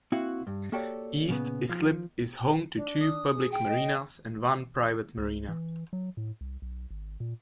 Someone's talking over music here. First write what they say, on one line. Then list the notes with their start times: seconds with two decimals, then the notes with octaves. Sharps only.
East Islip is home to two public marinas and one private marina.
0.12 A#3 C4 E4 F#4 F5 F#5
0.47 G2
0.72 A#3 F#4 G4 A4 C#5 D5
1.29 A#2 C#3 B3
1.69 F3
2.76 D4
3.00 D#6
3.34 G#4
3.52 G5
3.69 D#5
5.18 C#2
5.49 E3
5.93 F#3
6.17 A2
6.41 C2
6.62 B1
6.91 G#1
7.20 A#2